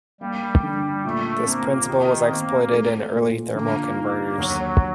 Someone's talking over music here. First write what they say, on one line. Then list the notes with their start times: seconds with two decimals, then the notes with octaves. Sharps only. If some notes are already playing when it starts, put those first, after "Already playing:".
This principle was exploited in early thermal converters.
0.21 G3 A#3
0.63 D3
1.05 A#2 A3
1.46 A#3 C4
1.88 D#3 G4
2.29 A#3 C4
2.71 A3
3.13 A#2
3.55 D3 A#3
3.96 D#4
4.38 D#2 F#3